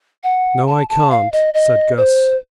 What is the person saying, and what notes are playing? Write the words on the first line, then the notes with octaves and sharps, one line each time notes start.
"No I can't," said Guss.
F#5
A5
A5
F5
D#5
D#5
C5